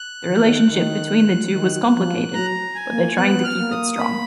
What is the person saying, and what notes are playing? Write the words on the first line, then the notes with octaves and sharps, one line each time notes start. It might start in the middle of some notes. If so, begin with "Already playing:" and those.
The relationship between the two was complicated, but they're trying to keep it strong.
Already playing: F#6
D#3
F3
D#3
D#3
F3
D#3
F3
F#3 A#5
G#5
A#3
B3 F#6
F6
B3
A#3
D#6
B5